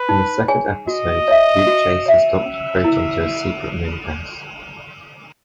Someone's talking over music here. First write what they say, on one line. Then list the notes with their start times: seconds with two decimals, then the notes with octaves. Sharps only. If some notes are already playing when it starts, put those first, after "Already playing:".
In the second episode, Duke chases Doctor Proton to his secret moonbase.
Already playing: B4
0.09 D#4
0.48 G#4 C#5 G#5
0.87 F#4 D#5
1.28 C#5 E5
1.67 F#4
2.06 C#5 E5
2.46 C#4 E5
2.84 E4 A#4